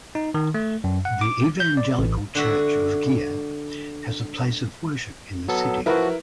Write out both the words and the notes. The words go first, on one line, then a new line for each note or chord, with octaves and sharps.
The Evangelical Church of Gier has a place of worship in the city.
D#4
D#3
A3
F#2
F#5
D6
G6
D5
A1
D3 F#4 E5
F#3 B3 A4
F3 E4 F#4 A#4 B4